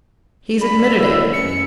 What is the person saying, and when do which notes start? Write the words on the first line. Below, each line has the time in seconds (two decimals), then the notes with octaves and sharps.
He's admitted it.
0.61 D4 B5
0.82 E6 B6 E7
0.99 E4 F#4 E6
1.33 F#2 C#7